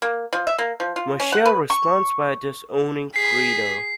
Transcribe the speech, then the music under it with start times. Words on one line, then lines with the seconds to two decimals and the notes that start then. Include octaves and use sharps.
Michael responds by disowning Fredo.
0.02 A#3
0.33 F3
0.47 E5
0.58 A#3
0.80 F3
0.96 F4
1.20 C#4
1.32 F#5
1.45 B4
1.70 C#6
3.16 G#4 B6 C7